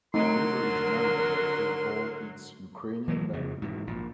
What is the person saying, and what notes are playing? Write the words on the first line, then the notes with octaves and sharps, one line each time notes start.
The river is navigable through all its Ukrainian length.
D3 F#3 A3 C4 D#4 A#4 C6
E3 F#3 G#3
F2 C#3
G#2 B2 E3
A#1 A#2